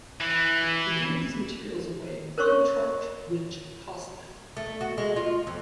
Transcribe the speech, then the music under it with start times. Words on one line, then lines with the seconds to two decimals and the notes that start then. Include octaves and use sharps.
He gave these materials away free of charge, which cost them.
0.21 E3
2.38 A#4 C5 C#5 C6 C#6
4.57 A3
4.81 F#4
4.98 G#3
5.16 F4
5.47 F2